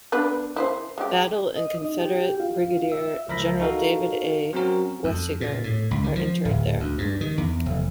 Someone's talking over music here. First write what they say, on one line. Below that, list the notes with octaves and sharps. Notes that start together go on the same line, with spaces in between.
Battle and Confederate Brigadier General David A. Weisiger are interred there.
B3 D4 B4
E4 B4 C5
G#3 G4
D#5
D#4
G4
F4
E5
C#2 F3 A#4 E5 B5 A#6
D#4 F#4 A4 A#4 F5
F#3 C4 C#4 F#4 A#4
F2
A#2
A2
C#2
D#3
F3
D1
D2
G2
D#3
E2
F1